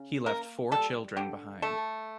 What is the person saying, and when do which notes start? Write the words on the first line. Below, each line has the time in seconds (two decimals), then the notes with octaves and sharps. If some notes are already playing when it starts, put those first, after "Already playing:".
He left four children behind.
Already playing: C#3
0.26 A#3 A#4
0.72 G3 A4
1.17 D3 G4
1.62 A3 A4